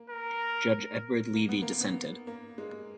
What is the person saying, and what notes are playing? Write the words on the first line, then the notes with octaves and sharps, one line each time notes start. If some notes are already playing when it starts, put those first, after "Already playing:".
Judge Edward Leavy dissented.
Already playing: A#3
A#4
A#3
B3
A#3
B3
A#3
G#3